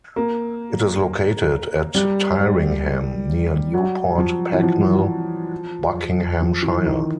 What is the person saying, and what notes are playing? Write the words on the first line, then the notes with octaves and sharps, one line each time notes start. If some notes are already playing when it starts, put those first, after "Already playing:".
It is located at Tyringham near Newport Pagnell, Buckinghamshire.
A#3
G3
F#3
F3
E3
F3
F3
E3
D#3